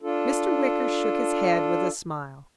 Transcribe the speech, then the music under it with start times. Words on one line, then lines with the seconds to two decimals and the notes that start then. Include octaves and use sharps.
Mr. Wicker shook his head with a smile.
0.02 D4 F4 A4